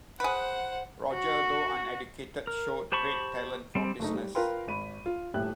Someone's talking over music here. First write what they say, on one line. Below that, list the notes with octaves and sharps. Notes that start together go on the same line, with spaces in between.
Roger, though uneducated, showed great talent for business.
G#4 B4 C5 F#5
F#4
A#4
G4 C5 A5 B5 C#6
G3 C4
F#1 A3 D#4
G3
F4 A#4 B4 F5 G5 C6
G#1 B5 D#7
F4
D#1 A2 G4 E5 F#6